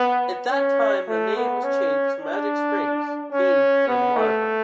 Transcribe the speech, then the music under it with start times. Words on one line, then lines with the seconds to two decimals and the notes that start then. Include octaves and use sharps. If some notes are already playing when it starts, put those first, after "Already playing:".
At that time the name was changed to Magic Springs Theme and Water Park.
Already playing: B3
0.51 C#4
1.08 A3
1.35 B3
1.64 C#4
2.20 D4
3.33 C#4
3.88 B3
4.17 A3